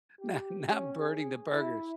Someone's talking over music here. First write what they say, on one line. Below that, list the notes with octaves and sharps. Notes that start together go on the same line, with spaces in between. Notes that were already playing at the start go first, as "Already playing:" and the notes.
not not burning the burgers.
G4
C#4
G#4
E4